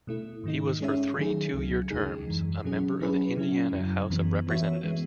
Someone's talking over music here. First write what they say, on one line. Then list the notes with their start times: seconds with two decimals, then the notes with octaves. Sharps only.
He was for three two-year terms a member of the Indiana House of Representatives.
0.07 B2 A3 E4
0.44 G#2 D#3 A3 D#4
0.80 G#3 C#4 G#4 C#5 E5
1.17 D#3 F#3 A3 D#4 G#4
1.53 C#2 C#3 F#3
1.90 D#2 C#3 G#3 D#4 G#4
2.27 F#2 E3 G#3
2.64 B2 F#3 C#4 G#4
3.00 F#3 C#4 E4 G#4 B4
3.37 C#3 F#3 C#4 E4
3.73 F#2 C#3 F#3
4.10 F#2 E3 B3
4.47 E3 B3 F#4 C#5 E5
4.84 E3 G#3 B3